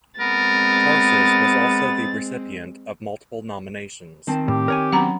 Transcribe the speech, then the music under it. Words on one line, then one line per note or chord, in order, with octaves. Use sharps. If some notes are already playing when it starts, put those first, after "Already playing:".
Tarses was also the recipient of multiple nominations.
G#3 B3 C4 A#4 A6
D#3 C4 A5
A2 G4
A#4 C#5 G#5
F#3 B3 C#4 F#5 A#5